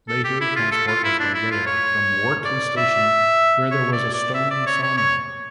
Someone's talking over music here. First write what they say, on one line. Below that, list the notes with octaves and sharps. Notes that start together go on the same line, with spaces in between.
Later transport was by rail from Wortley Station, where there was a stone sawmill.
A4
G4
E4
F4
A4
F4
E4
D4
E4
F4
C#5
D5
E5
C#5
D5
D5
E5
D5
C#5
C#5
C#5